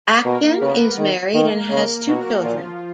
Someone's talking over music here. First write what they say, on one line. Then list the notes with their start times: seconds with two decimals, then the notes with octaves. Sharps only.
Acton is married and has two children.
0.24 B2 A#3 A#4
0.61 C#3 B3 B4
0.98 D#3
1.34 D#3 A#3 A#4
1.70 C#3 A#3 A#4
2.08 B2 F#3 F#4
2.44 A#2 F3 F4